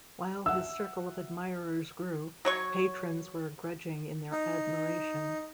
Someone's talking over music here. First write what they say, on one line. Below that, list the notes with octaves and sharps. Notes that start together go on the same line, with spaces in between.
While his circle of admirers grew, patrons were grudging in their admiration.
E5 F#5 E6
F#3 C#5 C#6
D#4